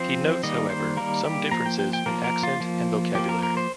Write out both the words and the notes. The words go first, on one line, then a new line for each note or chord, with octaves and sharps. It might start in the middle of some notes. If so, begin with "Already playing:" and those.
He notes, however, some differences in accent and vocabulary.
Already playing: F3 C4 C5
D#3 G3 A#3 D#5
C5
D#3 G3 A#3 A#4
G4
F3 A#3 A#5
G5
G5
G5
F3 A#3 A#4
A#4
F4
F3 A#3
F3 A#3 G4
A#4
A#4
C5